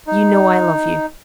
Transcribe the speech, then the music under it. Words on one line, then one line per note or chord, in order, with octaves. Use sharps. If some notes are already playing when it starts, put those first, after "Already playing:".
"You know I love you."
D#4